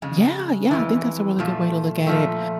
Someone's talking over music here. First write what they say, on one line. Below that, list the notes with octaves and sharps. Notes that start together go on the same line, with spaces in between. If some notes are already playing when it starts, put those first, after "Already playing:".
Yeah, yeah, I think that's a really good way to look at it.
F2 C#3 G#3
F2 C#3 E3 G#3
A#2 F3 A3
A#2 F3 A3